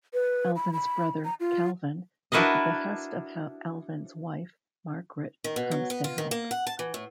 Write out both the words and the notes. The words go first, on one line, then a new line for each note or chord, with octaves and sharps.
Alvin's brother, Calvin, at the behest of Alvin's wife, Margaret, comes to help.
B4
B5
B5
A#5
F4
D4 E4 F#4 A#4 B4 D#5
D#3
B2
F#3
B3
F4
D#3
A#3
F#5
A5
E3
A2